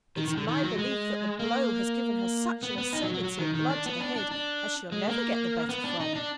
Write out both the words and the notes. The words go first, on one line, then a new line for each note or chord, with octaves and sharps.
It's my belief, that the blow has given her such an ascendency of blood to the head as she'll never get the better from.
D#3
D#3
D3
D#3
F#3
G#3
A#3
B3
B3
D#4
F#3
F#3
F#3
D#3
D#3
D4
B3
D4
D4
D4
G#3
A#3
B3
D4
D#4
D4